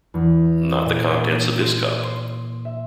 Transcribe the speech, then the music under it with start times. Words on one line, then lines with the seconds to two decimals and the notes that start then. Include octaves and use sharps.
Not the contents of this cup.
0.14 E2
0.85 A#2
1.60 C6
2.04 C6
2.65 E5